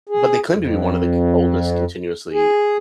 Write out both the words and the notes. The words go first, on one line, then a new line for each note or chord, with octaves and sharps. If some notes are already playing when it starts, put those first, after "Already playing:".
but they claim to be one of the c oldest continuously
G#4
F2
G#4